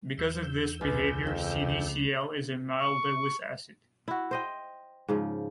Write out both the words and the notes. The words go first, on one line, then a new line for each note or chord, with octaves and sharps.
Because of this behavior, CdCl is a mild Lewis acid.
E2 E6 G6
C#2 B4
F2
C#6
E4 F#4
C5 D#5 G5
G#2 C#3 F3